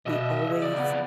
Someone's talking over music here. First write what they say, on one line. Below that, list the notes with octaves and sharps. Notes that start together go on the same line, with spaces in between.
we always,
B2 D#5 E5
C#3
E2 D5
B3